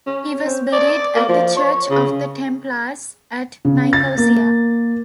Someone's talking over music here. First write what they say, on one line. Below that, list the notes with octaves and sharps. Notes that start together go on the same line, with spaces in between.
He was buried at the Church of the Templars, at Nicosia.
C#4
C4
D5
A#3
F3
C#5
C#3
C#3
A6
A#3